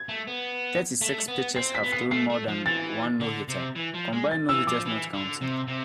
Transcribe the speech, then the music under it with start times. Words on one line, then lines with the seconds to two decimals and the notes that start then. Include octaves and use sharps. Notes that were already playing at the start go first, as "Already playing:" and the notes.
Thirty-six pitchers have thrown more than one no-hitter, combined no-hitters not counting.
Already playing: G#6
0.09 A3
0.27 B3
1.01 A3
1.28 B3
1.56 C4 C7
1.75 B6
1.83 B3
1.92 C7
2.11 A3 C7
2.30 A3
2.48 F3
2.66 E3 A6
3.21 D3
3.48 C3
3.76 E3
3.94 F3
4.13 G#3
4.31 A6
4.49 E3 E6
4.67 F3 D6
4.86 E3
5.13 D3
5.41 C3
5.68 C3